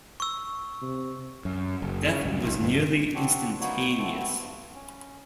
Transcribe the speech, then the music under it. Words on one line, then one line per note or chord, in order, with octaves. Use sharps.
Death was nearly instantaneous.
C#6 E6
C3
F#2
F#1
C#3
G#1 C#2 F#2 G3
F1 B1
G1 C2 F2 B2
C4 D4 F#4 G4
F#3 A#3 B3 D#4 F#4 C#5
D3 A3 B3 C4 F#4
G2
C#4